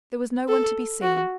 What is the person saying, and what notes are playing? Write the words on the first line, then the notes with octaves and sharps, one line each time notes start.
There was no one to be seen.
A4
F#4